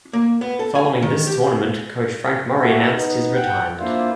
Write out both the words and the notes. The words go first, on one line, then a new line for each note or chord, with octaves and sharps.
Following this tournament coach Frank Murray announced his retirement.
A#3
B3
A4
G#5
D#3
G4
A#3 E4 F#4 G#4 A4
B3 D#4
F#5 G5
A#3 D4 E4 F4 C5